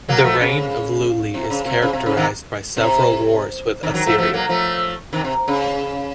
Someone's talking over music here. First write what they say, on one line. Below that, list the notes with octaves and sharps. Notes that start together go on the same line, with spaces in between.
The reign of Luli is characterized by several wars with Assyria.
F#3 A#3
F3 A3
C#3
C3
C#3
C3
C#3
C3
C#3
C3 D#3
C3
C3 D#3
D#3 F#3
F3 A3
F3 A3
F#3 A#3
F3 A3
C3 D#3
C3
C#3